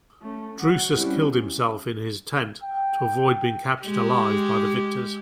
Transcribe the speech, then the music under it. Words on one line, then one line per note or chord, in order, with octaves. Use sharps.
Drusus killed himself in his tent to avoid being captured alive by the victors.
A3 C#4
F#3 F#5
G3 C4 C#4 E4
G5
G#3 G4